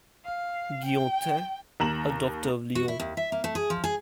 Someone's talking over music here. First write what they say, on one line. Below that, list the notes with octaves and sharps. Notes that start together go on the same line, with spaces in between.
Guillotin, a doctor of Lyons.
F5
G5
D#2 A#5 E7 F#7
F#4
E4
D#2
E5
A#3
A3
G#4
F3
G#4